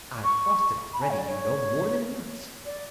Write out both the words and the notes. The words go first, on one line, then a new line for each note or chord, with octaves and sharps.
I've crossed it already, you know, more than once.
C#6
B5
G#5
C#5
D5
C#5
D5